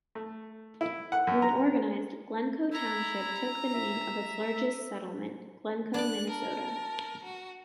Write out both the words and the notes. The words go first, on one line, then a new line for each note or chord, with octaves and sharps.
When organized, Glencoe Township took the name of its largest settlement: Glencoe, Minnesota.
A3
E4
F#5
F#2
A#5
E4 A#5
E5
D4 D5 F#6
A#4 A5
F#4